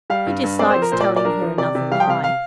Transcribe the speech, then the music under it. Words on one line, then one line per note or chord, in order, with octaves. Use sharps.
He dislikes telling her another lie.
G3 F5
G2
G2
C4 D5
C5
F3
A#4
A#2 C5
D5
A#2
D5
D4 A#4
F3
C3 D5
C3
G3 F5
G5
C3 F5
F5